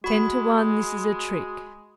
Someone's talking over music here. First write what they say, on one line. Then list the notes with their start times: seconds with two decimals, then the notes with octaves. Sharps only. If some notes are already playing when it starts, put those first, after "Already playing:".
"Ten to one this is a trick."
0.04 G#3 F#4 B5